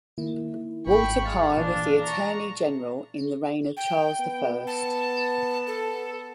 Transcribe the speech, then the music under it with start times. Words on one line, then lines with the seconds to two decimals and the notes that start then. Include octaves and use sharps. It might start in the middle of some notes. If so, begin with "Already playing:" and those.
Walter Pye was Attorney General in the reign of Charles the First.
0.18 D#3 A#3 E4
0.87 G#1 G5 B5 C#6
1.25 G#3 F5 F6 A6
1.57 A#2 E3 D4
2.02 A#5 C#6
3.77 G5
4.20 B3
4.67 A5
5.67 A4